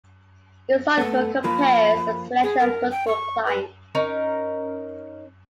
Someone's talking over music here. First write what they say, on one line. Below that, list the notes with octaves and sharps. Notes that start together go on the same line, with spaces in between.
This article compares a selection of notable clients.
A3 B3 A4
F3 A#3 B5
G#4
A#4
G5
C#6
B4
C#4 D#4 A#4